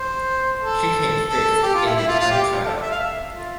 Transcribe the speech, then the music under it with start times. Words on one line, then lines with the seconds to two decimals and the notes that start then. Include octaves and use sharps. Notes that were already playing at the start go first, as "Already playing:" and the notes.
She came fifth in the time trial.
Already playing: C5
0.60 A4
1.28 A4
1.62 G4
1.74 F4
1.85 E4
1.97 E4
2.08 F4
2.19 F4
2.31 G4
2.65 A4
2.82 E5
2.91 F5
2.99 E5
3.34 F4